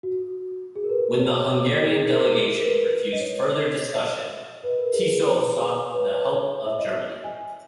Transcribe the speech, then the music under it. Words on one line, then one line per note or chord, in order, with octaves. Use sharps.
When the Hungarian delegation refused further discussion, Tiso sought the help of Germany.
F#4
G#4
A#4
B4
C#5
D#5
G#4
A#4
A#4
B4
D#5
C#5
D#5
E5
D#5
B4
A#4
G#4
G#4
B4
C#5
B4
C#5
E5
D#5
E5
G#5